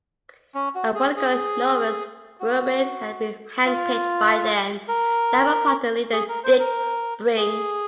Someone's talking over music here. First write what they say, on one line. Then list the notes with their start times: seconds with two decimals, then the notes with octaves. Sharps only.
A political novice, Guerin had been hand-picked by then Labour Party leader Dick Spring.
0.54 C#4
0.75 F#4
0.95 G#4
1.16 G#4
2.40 F#4
3.65 F4
4.88 A#4
6.13 G#4
6.29 A#4
6.44 C5
6.59 A#4
7.37 G#4